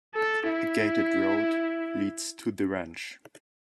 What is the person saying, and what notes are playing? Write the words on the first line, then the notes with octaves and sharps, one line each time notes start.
A gated road leads to the ranch.
A4
E4